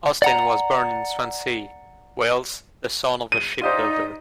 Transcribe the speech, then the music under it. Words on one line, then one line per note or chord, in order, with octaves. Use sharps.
Austin was born in Swansea, Wales, the son of a shipbuilder.
D5 F#5 A#5
D#7
D#4 F4 G4 C5 D5